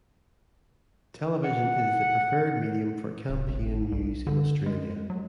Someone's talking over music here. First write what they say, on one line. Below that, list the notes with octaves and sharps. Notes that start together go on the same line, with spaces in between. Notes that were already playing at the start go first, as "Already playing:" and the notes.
Television is the preferred medium for campaign news in Australia.
F#5
D1
G#1
C2
D3
G#3
F#3